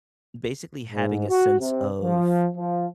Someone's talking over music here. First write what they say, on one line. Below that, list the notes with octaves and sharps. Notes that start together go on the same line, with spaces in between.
basically, having a sense of
G#2
F#4
C3
F3
F3